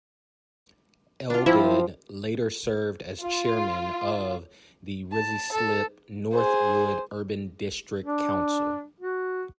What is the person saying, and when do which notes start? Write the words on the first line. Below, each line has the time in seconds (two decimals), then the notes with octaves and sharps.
Elgood later served as chairman of the Ruislip-Northwood Urban District Council.
1.30 D4 F4
1.46 F3 C4 E4
3.23 F4
5.12 A5
5.52 A4
6.34 G#4 C5
8.04 D4
9.00 F#4